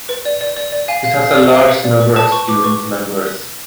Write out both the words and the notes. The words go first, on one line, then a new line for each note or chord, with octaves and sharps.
It has a large number of student members.
B4
D5
D5
D5
D5
F5 G#5
F5
F5
D5
F5
B4
D5
B4
B4 A5
B4 C#6
B4 D6
B4 C#6